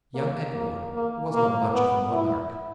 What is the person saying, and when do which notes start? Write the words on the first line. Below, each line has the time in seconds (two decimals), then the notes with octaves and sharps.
Young Edward was not much of a monarch.
0.14 A#3
0.54 A#3
0.94 A#3
1.33 A#3
1.74 B3
2.13 E4